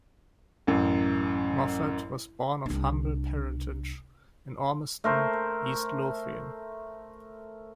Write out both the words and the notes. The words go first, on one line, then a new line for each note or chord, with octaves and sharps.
Moffat was born of humble parentage in Ormiston, East Lothian.
A1 F#2
C2 D4
A3 A#4 C5